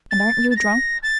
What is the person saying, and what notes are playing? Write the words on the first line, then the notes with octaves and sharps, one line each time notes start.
And aren't you drunk?
A6
A6
A#6
A6